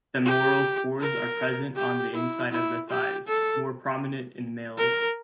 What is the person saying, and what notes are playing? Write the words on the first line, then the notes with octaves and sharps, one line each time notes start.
Femoral pores are present on the inside of the thighs, more prominent in males.
G4
A#4
G4
E4
E4
G4
A4
A#4